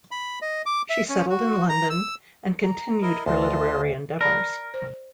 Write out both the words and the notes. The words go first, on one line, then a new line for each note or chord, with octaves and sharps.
She settled in London and continued her literary endeavours.
B5
D#5
D6
E5
C#4
F#4
A#5
E6
A#5
E4 A#4 D#5
D2 F4 D#5 A5
A#4 D5 A5 B5
C5